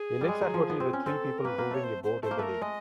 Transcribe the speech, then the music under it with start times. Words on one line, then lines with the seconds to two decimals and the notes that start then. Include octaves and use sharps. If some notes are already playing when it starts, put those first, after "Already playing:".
A lakeside hotel with three people rowing a boat in the lake.
Already playing: G#4
0.21 G3
0.28 G#3
0.41 F#3
0.54 F3
0.70 B3
0.80 C4
0.93 C#4
1.06 C4 A4
1.38 A#4
1.45 A#3 B4
1.58 A#3
1.71 A3 C#5
1.84 C5
2.04 C5
2.23 A3 C5
2.31 A#3
2.38 A3 A#4 B4
2.61 G#3 D#5